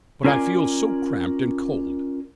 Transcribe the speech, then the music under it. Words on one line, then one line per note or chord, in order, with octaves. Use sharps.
"But I feel so cramped and cold."
C#4 F4 A#4 C5 D5 G#5